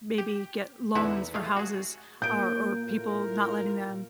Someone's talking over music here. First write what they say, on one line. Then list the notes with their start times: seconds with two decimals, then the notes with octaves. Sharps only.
maybe get loans for houses, or or people not letting them,
0.18 G4
0.95 E2 D3 D#4 E4 E5 F#5
1.34 G#3 A3 F5
1.57 F#4 G#4
2.22 A#2 A#3 G6 D7
2.86 A2 F4 A#4